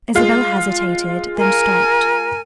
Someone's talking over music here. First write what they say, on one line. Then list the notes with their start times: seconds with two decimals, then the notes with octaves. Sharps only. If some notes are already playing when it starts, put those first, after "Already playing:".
Isabel hesitated, then stopped.
0.15 G#3 F4
1.37 A#4 G#5